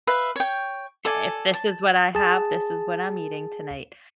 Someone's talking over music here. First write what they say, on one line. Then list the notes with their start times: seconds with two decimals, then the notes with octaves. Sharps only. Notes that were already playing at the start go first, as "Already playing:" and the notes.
i if this is what I have, this is what I'm eating tonight.
0.07 B4 E5 F5
0.36 C#5 G5
1.05 A4 D5 G#5
1.54 A5
2.15 G#4 A5